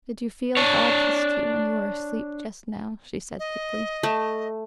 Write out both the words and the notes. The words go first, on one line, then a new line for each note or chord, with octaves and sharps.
"Did you feel how I kissed you when you were asleep just now?" she said thickly.
D4 C#5
D#5
A3